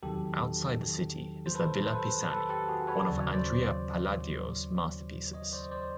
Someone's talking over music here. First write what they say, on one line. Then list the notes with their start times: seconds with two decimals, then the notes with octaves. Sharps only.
Outside the city is the "Villa Pisani", one of Andrea Palladio's masterpieces.
0.03 E2 C3 D#3 F#3 G4 A4
1.46 C5
1.55 A4 B4
1.82 C5
1.92 A4 B4
2.30 A4 B4
2.49 G4 A4
2.68 F#4 G#4
2.87 B4 C#5
3.06 D#2 C#3 F#3 D5
3.20 C#5
3.34 C5 D5
5.33 C#5 D#5
5.53 C5 D5
5.71 C5 D5